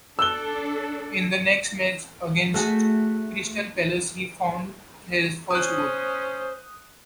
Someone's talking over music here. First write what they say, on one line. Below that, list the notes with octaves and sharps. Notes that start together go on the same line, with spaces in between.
In the next match against Crystal Palace, he found his first goal.
D4 A4 E6 F#6 G7
A3 F#4 G#4
C#4 C5 D#6 F#6